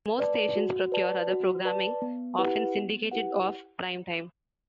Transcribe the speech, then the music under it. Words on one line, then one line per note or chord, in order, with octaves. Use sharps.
Most stations procure other programming, often syndicated, off prime time.
B4 D5 A5
F#4
B4 D5 A5
F#4
B4 D5 A5
B3
E4 G4 B4 F#5
B3
E4 G4 B4 F#5